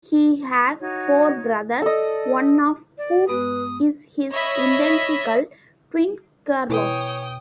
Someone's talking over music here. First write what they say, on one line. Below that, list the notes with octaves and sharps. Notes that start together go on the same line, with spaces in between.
He has four brothers, one of whom is his identical twin Carlos.
D#4 F#4 C#5
A4 D5 D#5
D5
G2 G#3 B3 B4 D#6
C#5 D#5 E5 B5
B2 E3 C#5 G5 D#6